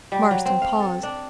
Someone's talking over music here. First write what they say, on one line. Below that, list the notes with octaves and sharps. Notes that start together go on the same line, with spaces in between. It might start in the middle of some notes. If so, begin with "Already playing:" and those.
Marston paused.
G3
F#3
C4
F5
A4
D4